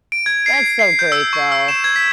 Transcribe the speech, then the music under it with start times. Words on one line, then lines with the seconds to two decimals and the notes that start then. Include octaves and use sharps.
that's so great, though.
0.12 D7
0.26 G#6
0.46 C7
0.79 C7
0.99 G6
1.12 E6
1.33 C#6
1.52 E6
1.68 E7
1.84 G#6
1.96 B6